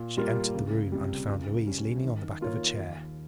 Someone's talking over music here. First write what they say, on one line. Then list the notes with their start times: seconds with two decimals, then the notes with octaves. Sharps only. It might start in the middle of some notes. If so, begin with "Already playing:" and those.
She entered the room and found Louise leaning on the back of a chair.
Already playing: A#2
0.17 G3 A#3 F4
0.54 C#2
0.92 C3 G3
1.29 C#2
1.66 C#3 G3 C#4
2.04 D#3
2.41 A#3 F4 A#4 C#5
2.78 D#2